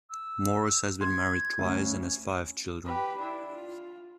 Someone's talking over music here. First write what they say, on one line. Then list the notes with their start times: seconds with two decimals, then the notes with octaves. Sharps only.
Morse has been married twice and has five children.
0.10 E6
1.01 C6 G#6
1.59 D2 C#4
2.84 G4 B4
3.18 D4 E4
3.55 F4